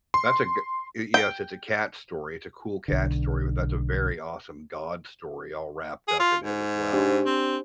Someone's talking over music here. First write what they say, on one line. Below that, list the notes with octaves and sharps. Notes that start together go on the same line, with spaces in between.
that's a goo uh, yes, it's a cat story, it's a cool cat story, but that's a very awesome God story all wrapped up in it as well,
C6
G5
B1 D3
G#4
F4
G#2
D4 G4 C5
C4